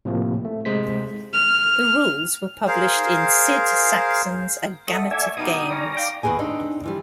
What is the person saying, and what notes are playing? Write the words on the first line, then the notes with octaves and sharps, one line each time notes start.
The rules were published in Sid Sackson's "A Gamut of Games".
A2 C3 F3 A#3
A3
C3 G#3 C5 B6
F6
G#4 A#4 C5 F5
A3 A4 D#5 F#5
D5 E5 G#5
B2 G3 D#4 D#6
G3 C#4 D5 A#5
F5 G5
D#2 C#3 B3 G#4 G#5
C4 D4 D#4
E3 F3 G3